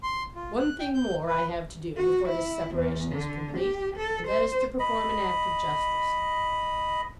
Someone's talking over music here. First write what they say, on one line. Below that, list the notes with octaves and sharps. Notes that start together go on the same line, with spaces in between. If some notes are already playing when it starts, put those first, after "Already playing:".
'One thing more I have to do, before this separation is complete, and that is to perform an act of justice.
C6
F4
F#6
G5
G6
B4
F#4
E4
E2
D3
G4
A4
C5
D#5 B5